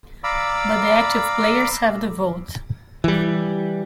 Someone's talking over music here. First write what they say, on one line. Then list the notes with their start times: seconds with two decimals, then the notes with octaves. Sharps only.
But the active players have the vote.
0.24 D5 F5 A#5 B5 D6 E6
3.04 E3 G3